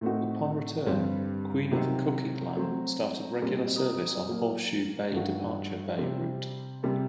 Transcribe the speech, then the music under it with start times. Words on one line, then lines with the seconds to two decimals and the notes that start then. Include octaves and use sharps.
Upon return, "Queen of Coquitlam" started regular service on Horseshoe Bay-Departure Bay route.
0.01 A2 A3 C4 D#4 F#4
0.87 G2 D3 G3 C4
1.72 C3 D#3 F#3 C4
2.57 F#3 A3 C4
3.41 A#2 G3 C4 G4
4.27 A#2 F#3 A#3
5.12 G2 D#3 A3 D4 F#4
5.97 C3 G3 C4 G4
6.83 C3 G3 C4